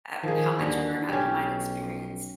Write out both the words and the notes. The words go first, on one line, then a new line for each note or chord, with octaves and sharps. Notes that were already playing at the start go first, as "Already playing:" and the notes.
uh, how much burnout you might experience?
D#3 F3 G#4
D#2 D3 F#4
B1 C#4 G4